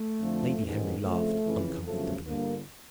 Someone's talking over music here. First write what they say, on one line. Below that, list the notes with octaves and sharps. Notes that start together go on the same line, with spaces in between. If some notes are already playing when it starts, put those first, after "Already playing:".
Lady Henry laughed uncomfortably.
Already playing: A3
F2 D3 F3
A1 G#2 D#3
F2 C#3 F3 A3
F2 C#3 E3
G1 F#2 C#3 F3 A3
G1 G2 D3 A#3